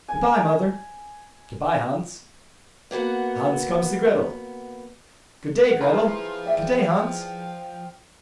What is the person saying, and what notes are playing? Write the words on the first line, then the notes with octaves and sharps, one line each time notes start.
Goodbye, mother.' 'Goodbye, Hans.' Hans comes to Gretel. 'Good day, Gretel.' 'Good day, Hans.
G#5
A#3 B3 F#4 F#5
F#5
F3 E4 F4 G#4 B4 G#5 A#5 C6
D5 E5 G5